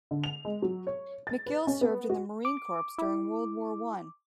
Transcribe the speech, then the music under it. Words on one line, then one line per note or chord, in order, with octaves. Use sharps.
McGill served in the Marine Corps during World War One.
D3
F7
G#3
F#3
C#5
A6
B4
C#4
B3
F#4
D6
E4